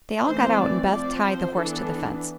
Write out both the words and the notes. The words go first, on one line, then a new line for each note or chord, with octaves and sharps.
They all got out and Beth tied the horse to the fence.
E3 A3 C4 C5
D5
F3 C4 D5
C5
E3 B3 D4 A4